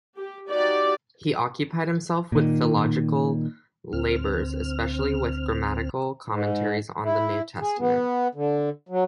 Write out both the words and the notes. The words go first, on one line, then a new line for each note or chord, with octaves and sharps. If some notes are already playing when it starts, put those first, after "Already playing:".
He occupied himself with philological labors, especially with grammatical commentaries on the New Testament.
G4
D#4 F#4 G4 D5
A#2 D#3
D2 C4 F6
G#2
E4
G#4
B3
D3
F#3